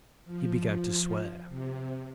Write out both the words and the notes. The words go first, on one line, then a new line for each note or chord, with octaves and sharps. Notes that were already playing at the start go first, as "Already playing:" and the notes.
He began to swear.
F3
C3